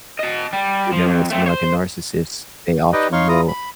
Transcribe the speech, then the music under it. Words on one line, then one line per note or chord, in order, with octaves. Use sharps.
if you're dealing with someone like a narcissist, they often will
D#5 A5
G3
F3
F2
A3 C4
C5 C#5
D#4 G4 B4 D5 D#5 G5
D#4 C#5 F5 C6 C#6
E4 F4 A#5 D#6
B5